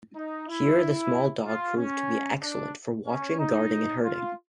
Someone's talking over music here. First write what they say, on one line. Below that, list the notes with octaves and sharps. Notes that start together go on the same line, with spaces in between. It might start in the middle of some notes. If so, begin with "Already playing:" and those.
Here the small dog proved to be excellent for watching, guarding and herding.
D#4
E4
F4
C#4
D4
C#4
D#4
F4